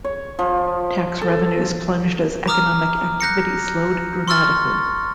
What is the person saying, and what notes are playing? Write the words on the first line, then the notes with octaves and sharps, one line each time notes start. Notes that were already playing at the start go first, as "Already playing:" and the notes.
Tax revenues plunged as economic activity slowed dramatically.
C#5
F3
A4
A#5 D6 D#6 F6
F#6 G6 A#6 C#7
C6 C#6 E6 F6 A6